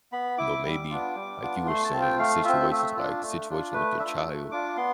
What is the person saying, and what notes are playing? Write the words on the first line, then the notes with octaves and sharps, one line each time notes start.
you know, maybe, like you were saying, situations like situation with your child,
B3 B5
E4 D6
G3
B3 D4 F4
G3
B3 D4 F4
A3 C6
A5
C4 F4
G5
A3 F5
C4 F4 E5
A3 E5
D4 F4
A3
D4 F4
A3 B4
D4 F4 E5
A3
D4 F4 D6
B3 C6